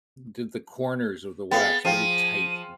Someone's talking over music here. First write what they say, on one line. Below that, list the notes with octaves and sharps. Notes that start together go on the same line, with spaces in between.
did the corners of the wax really tight,
B3 G#4 F5 G5 A6
F3 G#4 F5 G5 D#7